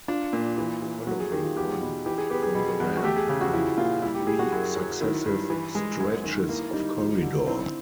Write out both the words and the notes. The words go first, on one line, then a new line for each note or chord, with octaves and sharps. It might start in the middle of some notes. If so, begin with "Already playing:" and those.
Following on from the ramp come three successive stretches of corridor.
D4 F4
A#2
E3
E3
F#3 F#4
G#4
D#3 G4
F4
E2 G4
B2
E3 G4
G#4
B3 G4
G#4
B2
E2
F#4
A3 G4
G#4
C#3 G4
F#4
F3 E4
A#2 F4
G3 E4
G4
G3 G#4
F#4
F#2
F#3
D#3 E4
G2
E3
G#3
F#2
D#3
A#3 E4
G3 D#4
F3
D3
C4 E4